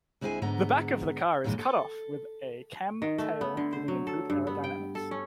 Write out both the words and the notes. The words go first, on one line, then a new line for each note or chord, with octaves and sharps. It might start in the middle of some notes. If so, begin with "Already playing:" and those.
The back of the car is "cut-off" with a "Kamm tail" giving improved aerodynamics.
D2 G#3 C4 E4 G#4 G#5
G#2 D3 G#3 B3 A#5
F#2 A#2 D#3 E3 G#3
A4
D#3
A3
B3
D3
C5
F#3
A4
G2
B3
G5
A4
C#4